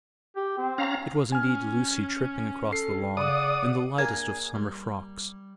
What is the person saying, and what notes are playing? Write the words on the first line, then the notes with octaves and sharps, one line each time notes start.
It was indeed Lucy tripping across the lawn in the lightest of summer frocks.
G4
C4
C#4 F5 A#5
C#4 G#5 F6
A4 C7
C#3 D5 F#5 D#6
A#3 D4 G#4 G#6
G3